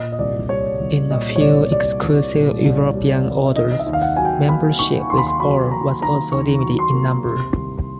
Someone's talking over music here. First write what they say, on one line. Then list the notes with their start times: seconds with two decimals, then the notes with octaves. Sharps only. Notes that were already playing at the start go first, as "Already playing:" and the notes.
In a few exclusive European orders, membership is or was also limited in number.
Already playing: A#2 D#5
0.12 D#5
0.19 C2 D5
0.49 G3 C#5
0.79 C2
1.10 A#2 D#5
1.36 C#5
1.41 C2 D5
1.71 G3 D5
2.03 C2
2.34 A#2
2.64 C2
2.95 G3
3.25 C2
3.45 E5
3.56 D#3 D#5
3.72 D#5
3.79 E5
3.86 D#2
3.93 F5
4.02 F#5
4.16 F#3 G#5
4.25 G5
4.48 A#3 B5
4.79 D#3 C#6
5.09 D#2 C6
5.18 B5
5.27 C6
5.40 F#3 B5
5.71 A#3 A#5
6.02 D#3 A#5
6.32 D#2 C#6
6.64 F#3
6.79 C6
6.93 A#3
7.24 C3
7.55 C2